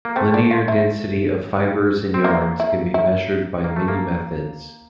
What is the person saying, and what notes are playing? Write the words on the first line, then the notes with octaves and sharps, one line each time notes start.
Linear density of fibers and yarns can be measured by many methods.
A#3
A3 C4
D4
F4
E4
C4
A#3 E4
E4
E4
A#3
A3
A#3